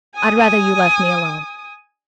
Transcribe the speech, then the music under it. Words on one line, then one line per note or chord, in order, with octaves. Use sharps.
I'd rather you left me alone.'
G#5 D#6